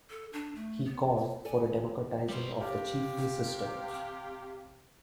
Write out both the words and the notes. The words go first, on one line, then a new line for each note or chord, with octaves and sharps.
He called for a democratizing of the chiefly system.
A4
D4
A3
B3
A4 D5 G#5
G3 C5
C3 G4 F5